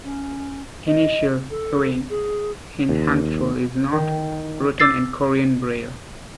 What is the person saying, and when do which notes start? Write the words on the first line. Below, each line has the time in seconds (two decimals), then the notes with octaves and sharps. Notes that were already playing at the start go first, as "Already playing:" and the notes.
Initial "ieung" in hangul is not written in Korean Braille.
0.03 C#4
0.86 D#5
1.50 A4
2.09 G#4
2.89 D#2
3.92 D#3
4.80 D6 E6 A6 C7